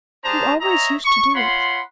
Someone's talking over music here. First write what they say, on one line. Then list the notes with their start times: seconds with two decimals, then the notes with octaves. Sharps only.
"You always used to do it."
0.24 G3 D4 G#4 C5 A5 A#5
0.61 C#5 D#5 E5 A#5
1.05 C#6
1.34 F4 C#5 F#5 B5 C6